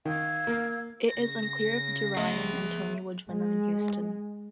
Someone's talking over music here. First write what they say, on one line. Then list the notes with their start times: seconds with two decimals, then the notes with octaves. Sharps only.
It is unclear if DuRyan and Tony will join them in Houston.
0.05 D#3 F5 E6 G#6
0.47 A#3
1.12 C#3 A#6
2.17 A3 G#4 D#5 E5
3.31 G#3